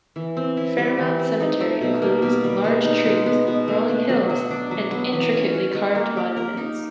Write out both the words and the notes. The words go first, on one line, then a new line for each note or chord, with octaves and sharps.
Fairmount Cemetery includes large trees, rolling hills, and intricately carved monuments.
E3
C4
E4
G3
E3
C4
D#4
A3
B2
A#3
B2
G3
G#3
D#4
G#3
B3
B2
A3
D4
F#3
F#3
D4
F#3
B3
E3
C#4
F#4
G#3
A#3
G4
A#4
D#4